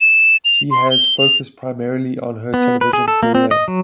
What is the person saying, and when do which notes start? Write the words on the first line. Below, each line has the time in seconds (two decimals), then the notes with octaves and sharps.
She has focused primarily on her television career.
0.01 E7
0.45 F7
0.71 C6
0.91 G7
1.19 F7
2.54 B3
2.81 B4
2.93 G#4
3.08 A4
3.23 A#3
3.35 C4
3.51 D#5
3.68 F#3